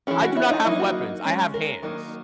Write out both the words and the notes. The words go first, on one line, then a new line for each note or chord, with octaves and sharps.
I do not have weapons, I have hands."
E3 G#3 C#4 G#4
F#4
E4
D#4
F#3 A#3 D#4 E4
F#4
G#3 C#4
A#4
D#3 F#3 A#3 D#4